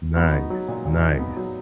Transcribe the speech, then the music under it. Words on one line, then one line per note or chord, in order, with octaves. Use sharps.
Nice, nice.
B3 F#4
D#4
F#3
A#2
A#2
D#4
B3
F#3